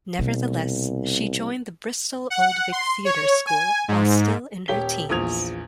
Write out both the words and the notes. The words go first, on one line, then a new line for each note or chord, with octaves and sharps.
Nevertheless, she joined the Bristol Old Vic Theatre School while still in her teens.
C2 B2
F#5
C6
C#5
G#5
G#2
D#1 G4 C#5 B6 G7
A#1 E2 F3 D#6 G#6 F7